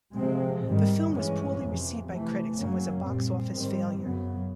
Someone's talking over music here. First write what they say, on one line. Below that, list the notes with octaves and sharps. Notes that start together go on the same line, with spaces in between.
The film was poorly received by critics and was a box office failure.
C3 F3 G#3 C4
G#2 D#3 G3
G2 E3 G#3 C#4
F2 C3 E3
C3 E3 A3
F#2 C#3 F#3 A#3 C#4
A#2 G3 C4
G#2 D#3 G3 C4
F#2 C#3 F#3 B3